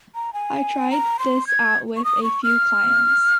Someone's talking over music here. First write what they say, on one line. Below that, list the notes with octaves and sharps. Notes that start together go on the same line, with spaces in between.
I tried this out with a few clients.
A#5
G#5
A#5
C6
G#6
C#6
D#6
C#6
F6